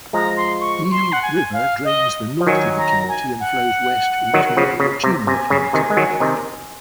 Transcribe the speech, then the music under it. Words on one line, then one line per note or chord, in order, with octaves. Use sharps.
Eel River drains the north of the county and flows west into Mendocino County.
F3 G#3 A#5
C6
C#6
C6
F#5
G#5
F5
D#5
F3
D#3 F#3 G#5
A#5
G#5
F#5
D#3 F#3
C#3 F3
C#3
C3
C3 G#5
C#3
C3 D#3
G#3
D#3 F#3
C3 D#3